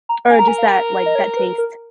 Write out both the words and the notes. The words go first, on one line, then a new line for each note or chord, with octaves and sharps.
or just that, like, that taste.
A#5
A#4 G#5
A#5
G#5
F5
D#5
C#5
B4
A#4